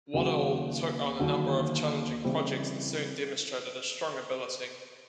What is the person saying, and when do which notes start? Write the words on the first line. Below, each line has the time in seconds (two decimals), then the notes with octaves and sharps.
Waddell took on a number of challenging projects and soon demonstrated a strong ability.
0.14 D#2 C#3 F#3 B3
1.19 D#2 D3 F#3
2.24 C#3 E3 G3 C4 E4